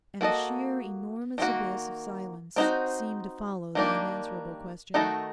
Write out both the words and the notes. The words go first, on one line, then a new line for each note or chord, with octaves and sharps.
And a sheer enormous abyss of silence seemed to follow the unanswerable question.
A#3 F#4 A4 D#5
D#3 G3 A#3 F#4
C4 D#4 F#4 C5
D#3 G3 A#3 D4 G4
D#3 A3 D#4 F#4 A4